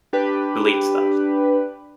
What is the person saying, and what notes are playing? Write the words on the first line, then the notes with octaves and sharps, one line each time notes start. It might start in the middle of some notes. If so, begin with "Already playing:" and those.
delete stuff.
D4 G4 B4